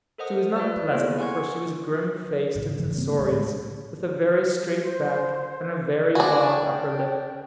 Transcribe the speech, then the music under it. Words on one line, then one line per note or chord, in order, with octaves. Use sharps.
She was not pleasant, for she was grim-faced and censorious, with a very straight back, and a very long upper lip.
A4 A#4 C5 D#5 F#5 D#6
F4 B4 D5
A#3 B3 E4 G#4 A4
F#5 G#5 C6 C#6 G#6
B1 G#2 C#3 E3
F1 G2 C#3 E3
C#3 G3 A#3 C4
C2 F2 A3
A2 D3 G3 G#3
C5
D4 F#4 G#5
G5